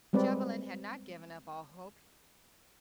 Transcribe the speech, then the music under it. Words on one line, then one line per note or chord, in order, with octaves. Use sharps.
Chauvelin had not given up all hope.
G3 G#3 C4 B4 D5